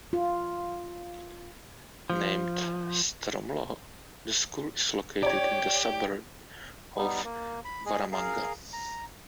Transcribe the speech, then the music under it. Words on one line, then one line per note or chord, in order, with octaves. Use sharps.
Named Stromlo, the school is located in the suburb of Waramanga.
F4
F3
G4 C#5 D5
G3 B3 D#4
A#3
B5
G#3 G#4
G#4 A#4 F5
A#5